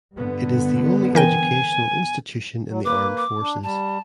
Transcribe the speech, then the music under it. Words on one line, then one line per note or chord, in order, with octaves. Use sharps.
It is the only educational institution in the armed forces.
G2 D3 B3
E3 A#4 G5 G#5
F#3
A#3 B4 D6
D6
D4
G3 A5